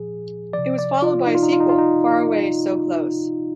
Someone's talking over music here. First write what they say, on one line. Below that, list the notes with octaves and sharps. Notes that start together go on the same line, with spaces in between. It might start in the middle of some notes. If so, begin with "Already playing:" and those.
It was followed by a sequel, Faraway, So Close!
Already playing: A#2 F3 G#4
C3 F3 D5
D5
F4
D#4
F4
D#4
F4
D#4
F4
D#4